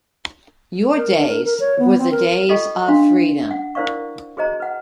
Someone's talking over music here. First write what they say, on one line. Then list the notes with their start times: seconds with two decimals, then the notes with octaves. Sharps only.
Your days were the days of freedom.
0.97 A#4
1.18 D4
1.29 A#4
1.45 A#4
1.60 C#5
1.79 B3
1.98 C4
2.11 A#4
2.49 F4 A4 D#5 G5 C#6
2.88 C#4 D4 F5 C6
3.51 F#5
3.75 E4 A#4 C5 D5 F5 C#6
4.37 F#4 G#4 C5 D#5 A#5
4.60 B4 F#5